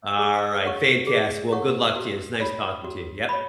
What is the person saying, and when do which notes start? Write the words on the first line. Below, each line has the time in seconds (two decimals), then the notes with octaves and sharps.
All right, fantastic. Well, good luck to ya, it's nice talking to you. Yep.
0.19 G#4
0.63 C#5 F#5 C#6
1.07 G#4
1.51 C#5 F#5 C#6
1.96 F#4
2.40 C#5 B5
2.84 F#4
3.29 C#5 B5